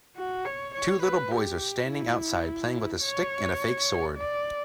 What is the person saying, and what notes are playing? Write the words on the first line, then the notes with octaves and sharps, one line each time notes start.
Two little boys are standing outside playing with a stick and a fake sword.
F#4
C#5
C#5
B4
G4
E4
C#5
D5